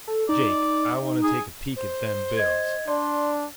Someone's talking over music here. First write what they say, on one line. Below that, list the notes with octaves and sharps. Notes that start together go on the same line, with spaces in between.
"Jake, I wanta take a peek at them bills."
A4
D#4 D5
G#4
C5
D#5 G#6
D4 D5 C6